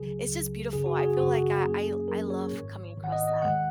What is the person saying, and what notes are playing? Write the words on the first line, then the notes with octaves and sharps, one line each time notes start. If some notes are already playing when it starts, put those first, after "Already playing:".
it's just beautiful. I feel like I I I love coming across that.
Already playing: C#2 C#3 F#3 G#4
C#2 C#3 F#3
G#1 F#2 C#3 G#4
F#4
G#4
G#1 F#2 C#3 F#4
F#2 F#3 A#3 C#4 G#4
F#2 F#3 A#3 C#4 A#4
C#5
G#1 G#2 D#3
G#1 G#2 D#3
F#5
D#5
D#5
D#2 D#3 G#3 F#5